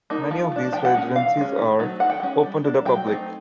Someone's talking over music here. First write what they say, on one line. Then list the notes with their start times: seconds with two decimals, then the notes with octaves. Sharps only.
Many of these residences are open to the public.
0.10 A#3 D#4
0.31 F3
0.52 A3 D4
0.73 F3 G5
0.85 F#5
0.95 G#3 C#4
1.16 E3 F5
1.37 G#3 C#4
1.58 D#3
1.79 F#3 A3 C4 D#4
2.00 D#3 F#5
2.10 G5
2.20 G#3 C#4 F#5
2.43 G3
2.64 A#3 D4
2.85 F#3 G5
3.07 A3 C4 D#4